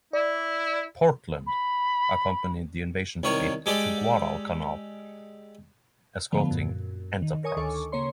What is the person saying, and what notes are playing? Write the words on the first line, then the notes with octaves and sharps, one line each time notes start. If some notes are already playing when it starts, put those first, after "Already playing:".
"Portland" accompanied the invasion fleet to Guadalcanal, escorting "Enterprise".
E4 D5
B5
C2 D#3 C#5 C#6
G#3 G4 A4 D5
D3 F3 A3 B3
F#2 A#2
D#3
A#4 C#5 G#5 C#6 D#6
D2 D#3 A4 G#5 C#6 D6
C#3 A#3 C#5 C6